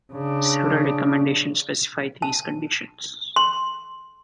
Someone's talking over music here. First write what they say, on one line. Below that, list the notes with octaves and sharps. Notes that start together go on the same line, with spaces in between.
Several recommendations specify these conditions.
C#3 D4
A5
C6